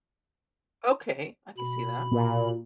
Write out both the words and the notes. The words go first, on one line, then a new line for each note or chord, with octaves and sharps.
Okay, I can see that.
B2 B5
A#2